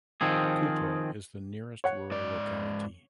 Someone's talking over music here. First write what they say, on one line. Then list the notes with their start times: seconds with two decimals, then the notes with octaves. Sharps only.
Khutor is the nearest rural locality.
0.21 D#3 F3 C4 G#4
1.84 C#5 F#5
2.11 G#2 D5